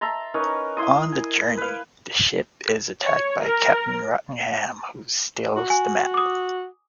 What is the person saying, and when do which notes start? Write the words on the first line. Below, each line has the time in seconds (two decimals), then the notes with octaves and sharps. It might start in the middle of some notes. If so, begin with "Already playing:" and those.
On the journey, the ship is attacked by Captain Rottingham, who steals the map.
0.01 E5 A5 A#5 C6
0.34 C#4 D#4 A#4 B4
0.77 E4 C6 D#6
1.12 G#5
1.58 B4 F5
3.03 C#5
3.41 A#4
5.56 F#4
5.70 G#5
6.14 D6 D#6